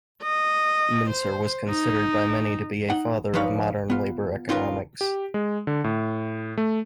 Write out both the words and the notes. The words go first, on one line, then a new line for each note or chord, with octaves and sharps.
Mincer was considered by many to be a father of modern labor economics.
D#5
C5
D#4
D#4 F#5
F3 D4 D#4 B4 C#5 F5
B3 F4
C#4 D#4 F4 F#4 A#4 B4
G4
G#3
D3
A2
A3